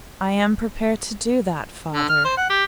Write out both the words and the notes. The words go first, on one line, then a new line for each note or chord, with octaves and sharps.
'I am prepared to do that, father.'
D3
F6
C5
F#5
G4